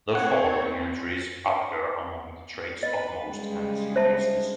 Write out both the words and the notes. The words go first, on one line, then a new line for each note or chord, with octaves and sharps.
The following entries appear among the traits of most fantasy races.
C4 C#5 F#5
B4 D#5
C#3 G3 G#3
C5 E5 A5